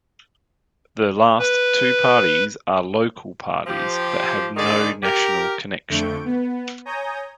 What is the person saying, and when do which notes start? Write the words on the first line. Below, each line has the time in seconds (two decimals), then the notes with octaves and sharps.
The last two parties are local parties that have no national connection.
1.39 B4
3.67 F3 G4
4.57 D3 D#3 G#4 D5
5.03 G4 A#4
5.89 F2 D3 A3 C#6 G6 D7
6.25 B3
6.85 C#5 G#5 A#5 D#6 G6 A#6